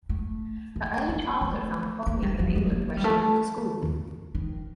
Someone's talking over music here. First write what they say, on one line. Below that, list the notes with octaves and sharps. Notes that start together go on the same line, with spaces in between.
Her early childhood found Pozniak in England where she went to school.
A3
A3
A#3
A3
A#3
G3
F#3
G3
A#3
G3
A3
D#3